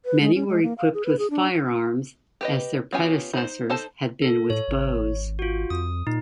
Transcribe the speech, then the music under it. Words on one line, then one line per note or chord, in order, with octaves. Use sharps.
Many were equipped with firearms, as their predecessors had been with bows.
B4
G#3
C#4
G#3
A#3
F5
G#4
B4
G#4
D4
G4 B4 D#5
B3 C#4 F4 G4 G#5
D#4 C5
D#4 A4 C5 A5
A4
A2 C#5
G#1
F4 F#4
F2 D#6
A#2 D#4